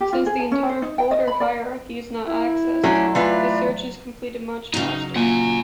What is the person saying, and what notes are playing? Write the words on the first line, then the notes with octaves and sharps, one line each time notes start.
Since the entire folder hierarchy is not accessed, the search is completed much faster.
G4
F4
G#4
A5
C#4
C5
D#4
G5
D#5
B5
D5
E4
F#3 A3 C#4 D4
E3 A3 F4 B4 D5
C#3 F#3 D#4
A#2 F#5 G#5